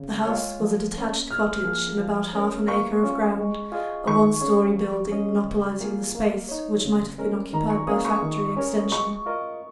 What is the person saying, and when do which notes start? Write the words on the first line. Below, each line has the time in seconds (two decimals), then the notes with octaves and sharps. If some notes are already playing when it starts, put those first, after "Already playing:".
The "house" was a detached cottage in about half an acre of ground, a one-storey building, monopolising the space which might have been occupied by factory extension.
Already playing: C#3
0.25 G#3 F4 G#4 C#5
0.61 F3
0.95 A#3 C#4
1.30 A#2 F6
1.64 F3 A#3 F4 G#4
1.99 F3
2.33 C#4 A#4 C#5
2.68 A#3 C#6
3.03 C#4 F4
3.37 G#3
3.72 F4 G#4 D#5
4.07 D#3 C#6
4.41 C#4 G#4
4.76 F3
5.11 G#3 C#4 G#4 D#5
5.45 C#3
5.81 A#3 F4 G#4
6.15 A#3
6.49 D#4 C#5
6.84 C#3
7.18 G#3 C#4 A#4
7.53 D#3 A#5
7.70 C#6
7.87 A#3 C#4 G#4 D#6
8.05 C#6
8.22 D#3
8.57 C#4 A#4 C#5
8.91 G#3 C#6
9.26 F4 A#4 D#5